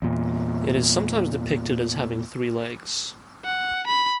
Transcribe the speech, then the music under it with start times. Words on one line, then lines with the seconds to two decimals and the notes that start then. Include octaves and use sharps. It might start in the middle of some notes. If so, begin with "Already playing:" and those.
It is sometimes depicted as having three legs.
0.02 E2 A#2
3.44 F#5
3.87 B5